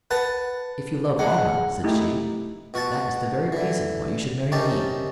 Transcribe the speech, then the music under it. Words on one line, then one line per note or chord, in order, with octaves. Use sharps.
"If you love Almah," said she, "that is the very reason why you should marry me."
B4 F#5 A5
G#3 F#5
A3 D#4 E4 G4
B2 F#4 F#5 A5
D3 E3
C3 D#3 C#4 D#4 G4 A5